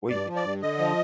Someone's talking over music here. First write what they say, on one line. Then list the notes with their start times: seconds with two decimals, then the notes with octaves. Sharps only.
wait it
0.10 G2 D5
0.27 F3
0.36 D5
0.44 G2
0.62 D3 D#5
0.79 F3